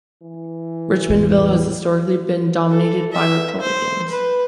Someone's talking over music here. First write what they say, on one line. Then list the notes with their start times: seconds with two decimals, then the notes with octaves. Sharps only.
Richmondville has historically been dominated by Republicans.
0.22 E3
1.09 E2 A2
2.69 A4
3.12 E5
3.61 C5
4.11 B4